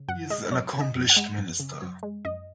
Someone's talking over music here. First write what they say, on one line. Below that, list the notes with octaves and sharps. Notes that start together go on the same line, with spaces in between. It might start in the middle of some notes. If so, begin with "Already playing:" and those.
He is an accomplished minister.
Already playing: C#3
F#2 F#5
G#3 D#5
F#2 C#5
C#3
D#5
F#2
F#5
G#3
F#2
C#3
F#2
G#3
F#2 D#5